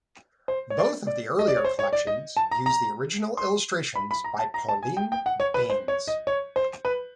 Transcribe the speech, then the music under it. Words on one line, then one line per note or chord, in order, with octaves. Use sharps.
Both of the earlier collections use the original illustrations by Pauline Baynes.
C5
C#5
D5
D5
D#5
D5
C#5
C5
C#5
D5
D#5
A5
A#5
A#5
C6
B5
B5
A#5
A5
A#5
A5
G#5
G5
G5
F#5
C#5
B4
C5
C#5
D#5
C#5
C5
B4